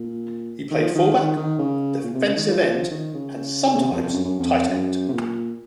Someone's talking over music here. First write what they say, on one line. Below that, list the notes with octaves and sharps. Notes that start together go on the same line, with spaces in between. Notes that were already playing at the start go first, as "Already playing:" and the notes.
He played fullback, defensive end and sometimes tight end.
Already playing: A#2
D#3
F3
D#3
D#3
D#3
C#3
A#2
C3
C#3
D#3
F3
D#3
C#3
C#3
C3
F2
F2
F#2
F#2
F2
F2
F#2
C3
A#2